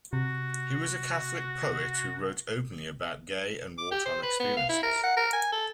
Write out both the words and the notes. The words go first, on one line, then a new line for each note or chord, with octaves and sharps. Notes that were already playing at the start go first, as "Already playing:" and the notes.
He was a Catholic poet who wrote openly about gay and wartime experiences.
C3 F#4
D6
G4
C5
B4
B3
F5
E4
A#4
F#5
A#4
G#5
A4